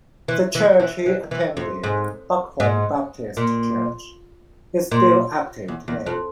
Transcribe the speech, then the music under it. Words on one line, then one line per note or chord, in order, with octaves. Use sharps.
The church he attended, Buckhorn Baptist Church, is still active today.
E3
E3
E3
E3
E3
F2
G#2
G#2
A#2
A#2
E2
E2
F2